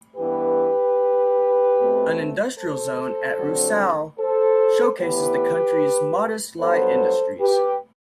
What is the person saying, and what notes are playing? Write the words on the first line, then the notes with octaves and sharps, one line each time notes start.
An industrial zone at Rusayl showcases the country's modest light industries.
G2 E3 B3 G4 B4
B2 A3 C4
A4 C5
G2 D3 F#3 C4
A4 C5
A2 E3 B3 G4 B4
G2 F#3 B3 A4 C5
G4 B4